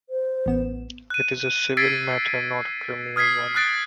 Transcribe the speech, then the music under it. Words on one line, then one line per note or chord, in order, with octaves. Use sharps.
It is a civil matter, not a criminal one.
C5
A1 B3 E7
F#6 D#7
E6 G#6 A6 B6 C7 D7
D#6 F6 G#6 B6 C7
D#6 F6 F#6 A6 D7